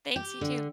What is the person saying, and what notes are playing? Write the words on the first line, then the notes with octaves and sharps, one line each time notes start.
Thanks, you too.
G4
D3